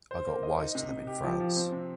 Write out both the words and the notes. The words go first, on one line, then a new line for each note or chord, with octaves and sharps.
I got wise to them in France.
C5
A#3
D#5
D#4
C3
C3
G4
F3
F3
C4
C3